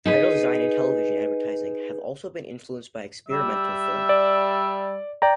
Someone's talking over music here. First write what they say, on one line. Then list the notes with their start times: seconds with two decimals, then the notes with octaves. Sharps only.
Title design and television advertising have also been influenced by experimental film.
0.05 D#4 G#4 B4
3.29 G3 E5 E6
4.09 D5
5.22 D5 G5 A#5